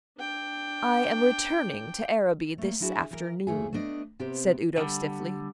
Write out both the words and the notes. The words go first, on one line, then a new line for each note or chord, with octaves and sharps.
"I am returning to Araby this afternoon," said Udo stiffly.
D4 G5
A3 A#3
F#3 D4 E4 F#4 G#4
E3 A#4
F2 A3 G#4
A3 B3 D4 D#5
C3 B3 C4 G4
D3 G3